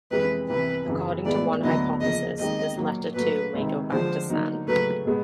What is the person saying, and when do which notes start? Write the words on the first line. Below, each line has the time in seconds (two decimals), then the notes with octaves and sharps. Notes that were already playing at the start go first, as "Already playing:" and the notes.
According to one hypothesis, this letter too may go back to San.
0.11 F2 C3 E3 G#3 B4
0.49 C2 C3 E3 B4
0.88 F#2 C#3 E3
1.25 A2 E3 G#3 B3 D5
1.63 D2 D3 F#3 B3 E4 D#5
2.01 E2 C#3 F3 A#3 D#5
2.39 D#2 D#3 G#3 C4 D#5
2.77 A#2 F#3 A#3
3.15 A#2 F#3 A3 B4
3.54 C#2 C3 D#3
3.92 D3 F3 G#3 C5
4.29 D3 F#3 A#3 D#4
4.67 D#2 C#3 F#3 A3 B4
5.05 B2 G#3 B3